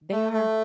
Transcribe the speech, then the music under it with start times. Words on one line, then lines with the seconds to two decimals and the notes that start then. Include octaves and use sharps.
They are.
0.12 A3
0.33 A3